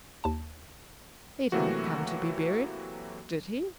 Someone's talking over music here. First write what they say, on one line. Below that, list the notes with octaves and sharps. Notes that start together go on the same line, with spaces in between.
"He didn't come to be buried;--did he?"
D#2 A5
C3 E3 F#3 A3 A#3 F#4